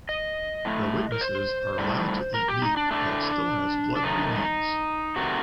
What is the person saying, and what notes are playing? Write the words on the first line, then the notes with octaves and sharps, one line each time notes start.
The witnesses are allowed to eat meat that still has blood remains.
D#5
A2 A3
A#4
C5
A2 G3
A#4
G4
D#4
D4
A2 A3 D4
D4
F#2 D#3 A3 D#4
C3 D#3 A3 F#4